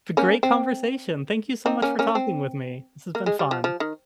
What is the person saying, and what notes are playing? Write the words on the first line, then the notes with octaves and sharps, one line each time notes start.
a g great conversation. Thank you so much for talking with me. This has been fun.
A#3 C#4
C4
C4 D#4
A#3 C#4
A#3 C#4
C4
A#3
G#3
G3
F3
F3
D#3